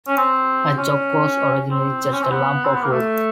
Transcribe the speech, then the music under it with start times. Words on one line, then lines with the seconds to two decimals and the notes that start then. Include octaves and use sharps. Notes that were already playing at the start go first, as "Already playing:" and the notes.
A "chock" was originally just a lump of wood.
0.08 C#4
0.18 C4
0.78 C#4
1.70 C4
2.12 C#4
2.22 C4
2.31 B3
2.64 C4
2.74 B3
2.83 A#3
2.92 A3